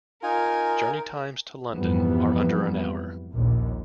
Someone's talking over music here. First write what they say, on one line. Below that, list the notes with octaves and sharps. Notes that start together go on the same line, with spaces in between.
Journey times to London are under an hour.
D#4 F4 A#4 G#5
F2 G#2 E3 G3 B3
A#1 D#2 A#2